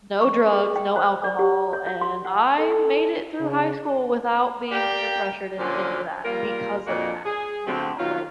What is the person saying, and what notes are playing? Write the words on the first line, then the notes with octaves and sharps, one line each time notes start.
no drugs, no alcohol, and I made it through high school without being peer pressured into any of that because of that, you know, like,
C#6
G#4
G5
C5
D5
G4
C#5
C#5
C6
F#5
A4
C#3
G4 A#4 D5 F5 G5
A#2 D3 F3 A#3 C#4
G3 A#3 F4 A#4
F2 A#2 A#3 D4 F#4 D#5
G#4
B2 D3 A3 C4
B2 D#3 F#3 F4